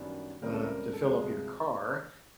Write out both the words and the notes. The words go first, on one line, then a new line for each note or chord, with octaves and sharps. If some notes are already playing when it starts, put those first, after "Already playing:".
uh, to fill up your car,
Already playing: F#2 D#3 G3 B3 D4
C#2 C#3 E3 G3 C4 A#4
A4
A#4
A4
D2 C3 F3 G#3 G#4